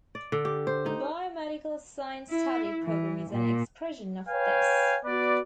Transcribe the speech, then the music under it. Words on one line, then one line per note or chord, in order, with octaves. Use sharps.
The Biomedical Science study programme is an expression of this.
D5
D3
G4
C5
D#4
E4
E3
A#2
B4 C#5 F5 G5 G#5
B3 F#4 B4 D5